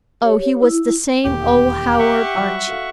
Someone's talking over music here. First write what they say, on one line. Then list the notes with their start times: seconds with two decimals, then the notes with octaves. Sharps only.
Oh, he was the same old Howard Archie!
0.21 G4 C#5
0.63 E4
1.25 E1 D#2 G4
1.99 E5 F#5 C#6
2.36 F#3 G3
2.67 F#4 A4 F5